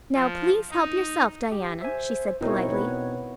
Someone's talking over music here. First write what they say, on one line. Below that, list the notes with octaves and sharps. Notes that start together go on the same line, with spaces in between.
"Now, please help yourself, Diana," she said politely.
F3
D#4
G4
C5 E5 G#5
B2 C4 D#4 E4 A#4 C#5
B3 B4 C#5